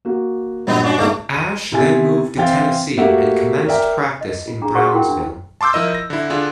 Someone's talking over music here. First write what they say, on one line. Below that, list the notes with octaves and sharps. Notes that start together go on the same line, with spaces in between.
Ashe then moved to Tennessee and commenced practice in Brownsville.
A#3 F#4
G2 A#2 F#3 B3 D#5
C#4 D4 F#4
C#2 G#2 A3 A#3 D5
D#7
C3 B3 E4 G#5 A6
E3 C4 F5 G5 A6
A3 A#3 F#4 G4 E5 F#5
A#4 D5 E5 G5 A#5
D#5
F4
D4 G#4 A#5
F#4 G#4 C5 F#5 C6 C#6
E4 F4 A#4 G5 C6
D4
A5 C6 D6 E6 G6
F3 E4 A#4 D#5 E6
A#6
D3 E4
D3 D4 F4 G#4